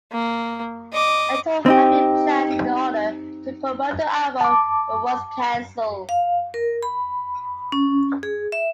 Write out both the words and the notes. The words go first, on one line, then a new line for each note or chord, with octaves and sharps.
A tour had been planned in order to promote the album, but was canceled.
A#3
D#5 D6
C4 D#4 G4
A5 D6
F5
A#4
B5
C#4
G#4
E5